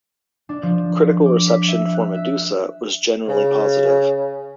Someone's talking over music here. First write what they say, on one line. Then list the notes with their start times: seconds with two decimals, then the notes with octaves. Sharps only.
Critical reception for "Medusa" was generally positive.
0.49 D4
0.63 F3
1.26 D6
1.47 B6
1.68 E5
1.94 F#6
2.15 E5
3.28 C#3